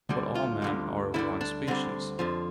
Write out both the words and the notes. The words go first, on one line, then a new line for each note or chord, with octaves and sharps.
But all men are of one species.
D2 D3 G3
F4
D2 D3 G3
D2 D3 G3 E4
D4
D2 D3 G3 C4
F2 D3 F3